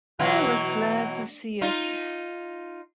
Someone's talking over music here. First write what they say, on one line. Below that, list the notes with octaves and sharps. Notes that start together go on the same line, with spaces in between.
I was glad to see it.
B2 E3 F#3
D#4 F4